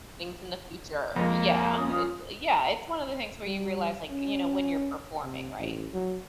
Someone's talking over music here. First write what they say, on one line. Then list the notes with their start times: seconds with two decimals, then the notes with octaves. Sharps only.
things in the future. Yeah. It's yeah, it's one of the things where you realize, like, you know, when you're performing, right,
1.16 F2 G#3 A#3
1.76 C#4 F4 D#6
3.46 G3
4.11 C#4
5.23 C3
5.59 A1
5.94 F#3